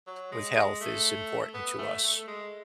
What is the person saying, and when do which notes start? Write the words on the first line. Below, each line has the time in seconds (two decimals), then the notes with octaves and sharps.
with health is important to us.
0.07 F#3
0.32 G#3
0.56 G#3
0.81 A3
1.54 B3
1.78 A3
2.03 A3
2.27 G#3